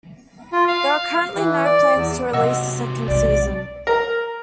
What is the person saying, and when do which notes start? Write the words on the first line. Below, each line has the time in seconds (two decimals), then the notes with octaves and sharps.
There are currently no plans to release the second season.
0.52 F4
0.67 F5
1.36 E3
1.65 D5
1.95 E2
2.33 C3 F#3 D#5 F#5 E6
3.08 B1 G#3 D5
3.87 A#4